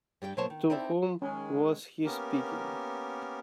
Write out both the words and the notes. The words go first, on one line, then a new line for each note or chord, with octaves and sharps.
To whom was he speaking?
G2 G3 G4 G5
B2 F#3 A#3 C5 C#5 A5
D#3
C4 D#4 E4 D5 E5
D#3 G#3 C#4
A#3 B3 C#4 G4 A#4